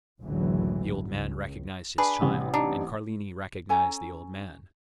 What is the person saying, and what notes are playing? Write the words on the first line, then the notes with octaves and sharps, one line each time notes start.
The old man recognized his child, and Carlini recognized the old man.
F#1 C#2 A2 D3 E3 F#3
C#2
D4 G#4 B4
A1 C3 G3
D4 D#4
C#4 A4 G#5 A#5